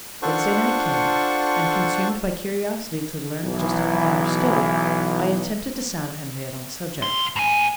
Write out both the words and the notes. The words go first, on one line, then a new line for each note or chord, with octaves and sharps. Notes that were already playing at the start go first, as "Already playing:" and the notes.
Wednesday night came, and, consumed by curiosity to learn just how the matter stood, I attempted to sound Henriette on the subject.
D4 F4 A4 C5 F#5 C#6
B1 E3
C2 C6
A2 G#5